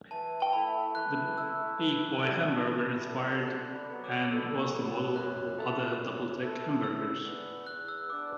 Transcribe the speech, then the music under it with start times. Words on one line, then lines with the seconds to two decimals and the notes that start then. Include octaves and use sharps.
The Big Boy hamburger inspired and was the model for other double deck hamburgers.
0.11 E3 A5
0.40 A5
0.53 A3 E4 B5
0.95 E3 F#6
1.38 A3 E4 E6
1.79 E3
2.21 D4 F#4 A4
2.63 E3
3.06 D4 F#4 A4
3.47 D3 F#6
3.75 B5
3.89 F#3 B3
4.04 D6
4.31 D3 E6
4.73 F#3 B3
5.15 F#2 F#6
5.57 E3 A3 E4 A4
5.99 F#2
6.41 E3 A3 E4 A4
6.84 E2 E6
7.25 E3 B3 D4
7.67 E2 F#6
7.88 E6
8.09 E3 B3 D4 D6